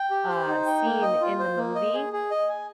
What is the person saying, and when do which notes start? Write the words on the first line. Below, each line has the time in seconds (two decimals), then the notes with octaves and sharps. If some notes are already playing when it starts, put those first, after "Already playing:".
uh, scene in the movie.
Already playing: G5
0.11 G4
0.29 C5
0.47 D#4
0.66 G5
0.84 A#3
1.02 D#5
1.21 F4
1.39 C5
1.57 A#3
1.75 D#5
1.94 G#4
2.13 G#4
2.31 D#5
2.49 G#5